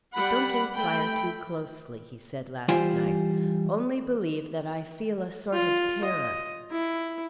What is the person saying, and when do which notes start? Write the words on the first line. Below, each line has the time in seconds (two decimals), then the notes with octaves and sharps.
Don't enquire too closely,' he said last night; 'only believe that I feel a sort of terror.
0.14 G3 F#5 B5
0.75 A3 G5 B5
2.68 E3 G3 F4 C5 G5 G#5
5.53 F4
6.04 D#5
6.71 E4